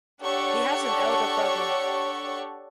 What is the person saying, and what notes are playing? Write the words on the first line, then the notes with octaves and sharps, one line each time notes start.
He has an elder brother.
D4 G4 A4 C#5 F#5 C#6